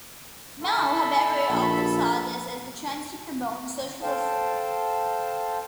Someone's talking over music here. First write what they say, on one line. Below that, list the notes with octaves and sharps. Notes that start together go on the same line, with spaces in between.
Mao, however, also saw this as the chance to promote socialism.
A4 E5 B5
A#1
A4 C5 F5 G5 A5